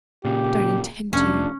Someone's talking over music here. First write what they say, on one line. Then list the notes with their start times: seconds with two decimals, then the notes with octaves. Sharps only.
'Don't intend to.
0.25 A#2 C#3 G4
1.13 F1 C#4 D4